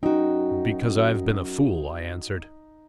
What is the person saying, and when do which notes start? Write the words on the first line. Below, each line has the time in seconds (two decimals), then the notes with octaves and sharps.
"Because I have been a fool," I answered.
0.03 F#2 D#4 F#4 G5